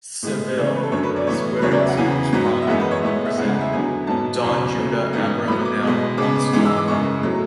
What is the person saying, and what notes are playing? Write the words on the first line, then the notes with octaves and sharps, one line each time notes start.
Seville is where its most prominent representative, Don Judah Abravanel, once dwelt.
A2 G#3 B3
C#3 E3 A3 D5
C#5
B4
A4
F#2 D3 F#3 A3 C#5
B4
D5
A2 E3 B3 C#5
B4
E2 C#3 F#3 C#5
D5
E5
F#5
E2 C#3 E3 B3 G#5
G#2 F#3 B3
E5
F#2 E3 G#3 B3 F#5
B4
C#5
A2 G#3 B3 E5
E5
E2 C#3 G#3 B3 F#5
F#5
E5
E2 D3 F#3 B3 G#5
G#2 F#3 B3 A5
E2 C#3 F#3 B3
C#3 F#3 A3
G#2 E3 B3
A2 F#3 B3 B5
D6
B2 G#3 B3
C#3 G#3 B3 D6
D6
G#2 E3 G#3 B3 D6
E6
D6
F#2 C#3 G#3 B3 C#6
A2 F#3 A3